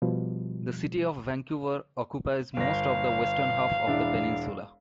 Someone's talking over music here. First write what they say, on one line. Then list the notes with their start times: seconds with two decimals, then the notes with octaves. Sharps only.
The City of Vancouver occupies most of the western half of the peninsula.
0.02 B2 F3 G3
2.57 G1 F5 A#6
3.87 E1 D4 E4